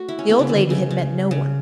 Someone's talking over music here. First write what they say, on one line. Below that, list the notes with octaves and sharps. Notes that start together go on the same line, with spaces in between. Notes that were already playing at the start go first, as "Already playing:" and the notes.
The old lady had met no one.
Already playing: A3 F#4
E4
C#4
B3
C#3
D3
C#3
C#3
C#3